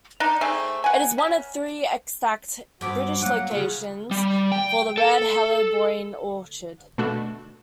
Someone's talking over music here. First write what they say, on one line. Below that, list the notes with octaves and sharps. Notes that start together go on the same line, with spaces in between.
It is one of three extant British locations for the red helleborine orchid.
D4 D#4
A3 C4 G#4
F#5 G#5
C#4
G2 B3 C4 F#4 D6
F#3 A#3 F#5
C#3 F4
G3
G5
A4
B2 A3 D4 F#4 A4